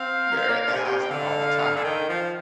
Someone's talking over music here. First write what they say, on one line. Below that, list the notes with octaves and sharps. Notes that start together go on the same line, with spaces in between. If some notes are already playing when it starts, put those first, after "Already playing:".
there at the house all the time.
Already playing: C4 F5
A#3
C4
A#3
D3
C3
G#5
C3 G5
G5
D3 F5
D3 G#5
D#3 G5
F3 F5
F5